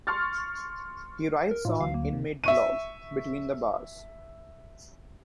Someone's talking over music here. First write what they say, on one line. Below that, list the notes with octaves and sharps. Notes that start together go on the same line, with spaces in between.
He writes on inmate blog "Between the Bars".
C6 C#6 F6 A6
A#4
A2 D#4 F4
D2 F#3 F5
A#3
C3
E5 C#6 D#7